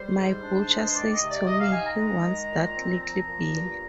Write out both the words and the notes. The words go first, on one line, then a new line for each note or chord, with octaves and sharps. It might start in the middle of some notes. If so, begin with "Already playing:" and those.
My butcher says to me he wants that little bill.
Already playing: G3 C5
G#2
D4
G#3
C5
D#3 D5
D#5
C3
D5
D#3 D#5
F5
D#4 G#5
A#5
G#3
D#3
A#2
C4
F3 A#5
A#2
G2